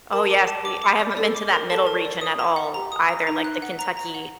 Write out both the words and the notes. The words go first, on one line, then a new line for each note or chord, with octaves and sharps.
Oh, yes we I haven't been to that middle region at all either, like the Kentucky
A#4 A5
D6
A5
D6
D6
D5
A4 D5
D6
A#4
A4 A5
A#4
D5
D#6
A#5
F#5
G4 A#5
D#6
A#5
D#4 A#5
F#6
F#5
A#5
A#5
F#5